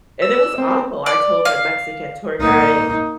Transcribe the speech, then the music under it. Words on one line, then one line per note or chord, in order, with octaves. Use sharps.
and it was awful. I told the Mexican tour guide,
E6
C4
D5
F5
A#3 D#4